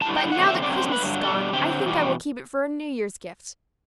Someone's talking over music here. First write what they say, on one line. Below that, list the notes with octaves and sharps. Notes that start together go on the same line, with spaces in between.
But now that Christmas is gone, I think I will keep it for a New Year's gift.
G2 D3 A3 E4 A5
G5
E2 D3 F#3 A3 C4 F#5
E5
F#2 D3 F#3 C4 D5
C5
G2 D3 F#3 B4
B2 G3 D4 A4
D3 F#3 C4 G4
E2 B2 G3